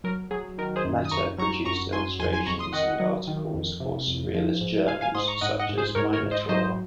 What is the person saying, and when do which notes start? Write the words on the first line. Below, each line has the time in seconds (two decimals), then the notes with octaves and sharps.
Matta produced illustrations and articles for Surrealist journals such as "Minotaure".
0.04 F#3 A#4
0.31 F#3 G#4
0.58 D#3 A#4
0.76 G#4 C5
0.85 F#2
1.05 D#6
1.11 F#2 A#5 C#6
1.38 F#3 A#5 C#6
1.65 F#2 A#5 C#6
1.92 F#3 G#5 C6
2.19 F2 G#5 C6
2.33 G#5 C6
2.46 F2 A#5 C#6
2.59 C6 D#6
2.73 D#3 D#5 F#5
3.00 F#3
3.27 D#3
3.54 F2
3.80 C3
4.07 F2
4.35 F3
4.61 G#2
4.87 G#2 F5 G#5
5.01 F5 G#5
5.15 G#2 C6 D#6
5.28 A#5 C#6
5.41 G#2 D#5 F#5
5.59 D#5 F#5
5.69 G#2
5.78 G#4 C5
5.95 G#2 A#4 C#5
6.13 A#4 C#5
6.23 G#2
6.31 C5 D#5
6.49 F#3 C5 D#5